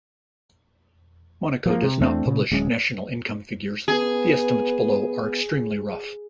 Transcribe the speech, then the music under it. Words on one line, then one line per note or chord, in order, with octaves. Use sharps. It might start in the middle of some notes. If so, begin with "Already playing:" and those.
Monaco does not publish national income figures; the estimates below are extremely rough.
F3 A#3
C3
E2 A3 C4 D4
A#2 C#3
D1 G#3 C#4
B3 G#4